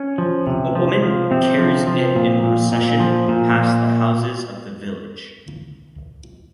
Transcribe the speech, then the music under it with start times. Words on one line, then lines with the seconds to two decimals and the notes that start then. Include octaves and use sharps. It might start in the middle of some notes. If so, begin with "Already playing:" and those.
A woman carries it in procession past the houses of the village.
Already playing: C#4
0.18 F3
0.47 C3
0.75 F3
1.02 F3
1.31 C3 C4
1.59 F3
1.87 F3
2.16 A#2
2.43 A#2
2.72 A#2
3.00 F3
3.28 A#2
3.56 A#2